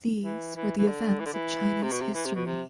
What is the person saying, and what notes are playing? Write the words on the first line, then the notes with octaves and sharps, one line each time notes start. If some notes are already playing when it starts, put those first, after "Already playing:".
These were the events of Chinese history.
E3
E3
E3
D3
E3
D3
E3
C3
B2
C3
E3
C3
B2
C3